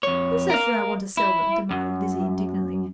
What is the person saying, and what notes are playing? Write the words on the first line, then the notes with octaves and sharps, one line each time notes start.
"Who says that I want to sell them?" demanded Lizzie indignantly.
F2 C#5
A#4 F5
E4
F#2